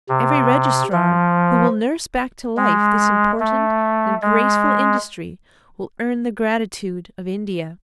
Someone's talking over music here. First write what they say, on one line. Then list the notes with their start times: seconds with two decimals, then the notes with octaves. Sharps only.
Every registrar who will nurse back to life this important and graceful industry will earn the gratitude of India.
0.09 C3
0.92 F3
2.57 G#3
3.40 A3
4.22 G#3